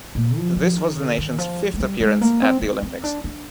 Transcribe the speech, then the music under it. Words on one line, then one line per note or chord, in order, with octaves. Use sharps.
This was the nation's fifth appearance at the Olympics.
A#2
F3
F3
D#3
D3
D#3
F3
G#3
G3
G#3
A#3
C4
C4
C4
D4
D4